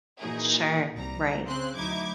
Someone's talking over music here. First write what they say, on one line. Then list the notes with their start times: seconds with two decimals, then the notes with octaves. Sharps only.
Sure, right.
0.20 A#2 E3 D#4 F#4 G#4 A#4
0.93 C2 G3 A#5
1.45 C#3 C4 C5 C6 F#6
1.75 D2 F#3 D#4 E4 D6 G#6